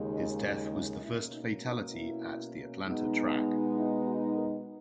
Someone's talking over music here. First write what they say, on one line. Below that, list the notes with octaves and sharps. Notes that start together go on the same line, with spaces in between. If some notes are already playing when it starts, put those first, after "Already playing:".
His death was the first fatality at the Atlanta track.
Already playing: D#2 C#3 G#3 D#4
D#5
F#4
E4
B2 A#3 C#4 E4
D#4
D#4
E4
B2 G#3 B3 D#4
E4
F#4
A#4